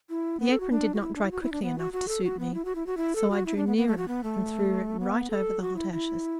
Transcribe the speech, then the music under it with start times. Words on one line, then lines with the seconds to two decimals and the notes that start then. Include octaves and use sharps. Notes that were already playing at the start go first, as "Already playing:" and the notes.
The apron did not dry quickly enough to suit me, so I drew nearer and threw it right over the hot ashes.
0.10 E4
0.40 B3
0.50 A4
0.60 F#4
0.71 D4
0.95 F#4
1.01 E4
1.15 D4
1.23 E4
1.31 F#4
1.42 E4
1.52 D4
1.62 B3
1.78 F#4
1.93 F#4
2.08 A4
2.24 F#4
2.39 B3
2.54 E4
2.65 F#4
2.75 E4
2.87 F#4
2.97 E4
3.16 A4
3.31 F#4
3.46 E4
3.57 D4
3.67 B3
3.77 B3
3.87 A3
3.97 F#4
4.08 B3
4.24 A3
5.00 B3
5.30 A4
5.62 F#4
5.76 E4
5.92 E4